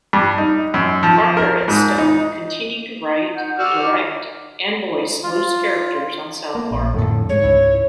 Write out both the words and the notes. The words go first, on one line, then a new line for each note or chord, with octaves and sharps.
Parker and Stone continue to write, direct, and voice most characters on "South Park".
G2
D#4
F#2
F3
A#4
G#2
D#4
D#4 F#5 G6
F#4 G4 D5 C#6 E6 F6
D6
F4
A#3
A#1
F2 A2 D3 A4
G#2 C#5
C#2 E4